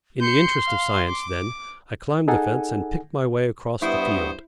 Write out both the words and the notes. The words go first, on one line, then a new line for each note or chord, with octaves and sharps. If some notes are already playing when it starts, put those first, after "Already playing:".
In the interest of science, then, I climbed the fence and picked my way across the field.
C6 G6 C#7
F5
D6
D#4 G#4 A4 F#5 G#5
G2 B3 E4 C5 C#6 D#6